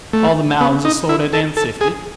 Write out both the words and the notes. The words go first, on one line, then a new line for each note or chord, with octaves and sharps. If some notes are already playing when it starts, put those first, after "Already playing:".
All the mounds are sorted and sifted?'
A3
B3
D#4
E4
A4
A4
G#4